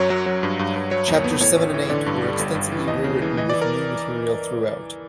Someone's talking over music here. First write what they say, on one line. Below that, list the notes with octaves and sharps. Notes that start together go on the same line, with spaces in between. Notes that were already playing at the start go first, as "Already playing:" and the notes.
Chapters seven and eight were extensively rewritten with new material throughout.
Already playing: F#2 F#3 C#5
F#3
F#3
G2
G2
G2
F#3 C#5
D#2
B3
A2 C#5
A1
E3
D3 D5
G2
G3
G1
G2
E3
D#2 D#5
C#3
E3
E3 D#5
D5
E3
A#4